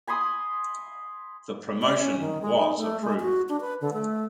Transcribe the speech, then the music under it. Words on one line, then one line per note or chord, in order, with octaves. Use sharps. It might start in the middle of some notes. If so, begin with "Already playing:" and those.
The promotion was approved.
G#5 B5 C6 D#6
D5
C#4
D#3
G#3
D#4
A3
G#3
F#4
D4
B4
D3
A3